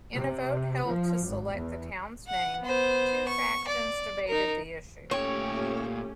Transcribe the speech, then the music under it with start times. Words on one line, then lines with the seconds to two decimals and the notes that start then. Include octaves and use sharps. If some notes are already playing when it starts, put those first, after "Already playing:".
In a vote held to select the town's name, two factions debated the issue.
0.14 C3
0.86 F3
1.25 G#1
1.55 E2
2.27 F#5
2.61 B3 C5
3.28 C#6
3.67 D5
4.28 D#4 A#4
5.11 A#2 A3 C#4 G4 C#5 G5